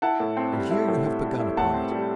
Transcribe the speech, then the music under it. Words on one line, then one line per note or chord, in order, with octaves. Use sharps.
And here you have begun upon it.
E4 F#5 A5
A2
C4
G3
E4
A2
C4
G3
E4
A2 F#5 A5
C4
G3